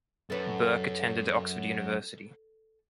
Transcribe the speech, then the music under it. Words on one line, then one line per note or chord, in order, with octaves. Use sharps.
Burke attended Oxford University.
F#2 A4 B4